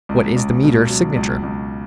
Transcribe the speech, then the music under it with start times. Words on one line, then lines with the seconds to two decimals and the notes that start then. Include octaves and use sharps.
"What is the meter-signature?"
0.09 C#2
0.36 C#2
0.63 B2
0.89 F#3
1.16 C#2
1.43 C#2